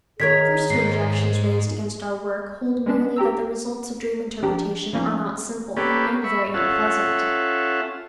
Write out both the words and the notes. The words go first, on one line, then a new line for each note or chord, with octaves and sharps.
The first two objections raised against our work hold merely that the results of dream interpretation are not simple, and very unpleasant.
D#3 G#4 A#4 C#5 G#6 B6
G#2 C7
G#3 C#4 D4
G4 G5 A#5 E6
F3 D4 G4 G5 A#5
F3 G3 A#3 C#4 D#4
A#3 C#4 G4 A4 B4
E5 B5 C#6
C#4 F4 A4 E5 F#5